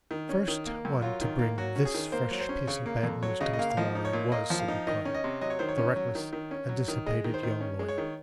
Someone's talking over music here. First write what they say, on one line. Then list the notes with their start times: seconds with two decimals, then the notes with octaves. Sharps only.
The first one to bring this fresh piece of bad news to Mr. Lorry was Sydney Carton, the reckless and dissipated young lawyer.
0.11 D#3
0.29 C#4
0.48 D#3
0.66 A#3
0.85 F#2
1.02 F#3 F4
1.21 D#3
1.39 A#3
1.58 F#3 F#4
1.76 C#4
1.85 G#4
1.94 D#3
2.12 A#3 C5
2.31 F#3
2.40 C5
2.49 C#4
2.67 C#3 C#5
2.86 A#3
3.03 F2
3.23 F#3 C#5
3.40 C#3 D#5
3.53 D#5
3.59 A#3 F5
3.70 F5
3.77 F3 D#5
3.95 D#4
4.05 C#5
4.13 A#2
4.32 A#3 D#5
4.50 F3
4.59 F5
4.68 D#4
4.87 D#3 D#5
5.05 C#4
5.14 D#5
5.24 C3
5.41 F#3 D#5
5.50 C#5
5.59 D#3 C5
5.69 C#5
5.78 C#4
5.96 F#3
6.15 D#3
6.33 D#3
6.51 C#4
6.69 F#3
6.88 D#3
7.06 G#3 D#5
7.24 D#3
7.34 C5
7.43 D#3
7.61 C#4
7.79 G#3
7.88 C#5
7.98 D#3